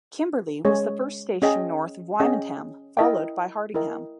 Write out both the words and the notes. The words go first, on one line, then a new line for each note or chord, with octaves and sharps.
Kimberley was the first station north of Wymondham followed by Hardingham.
G#3 C#4 G#4 C#5
C#4 G#4 D#5 G5
C#4 G#4 D#5 G5
E4 A#4 D#5 G5
E4 A#4 D#5 G5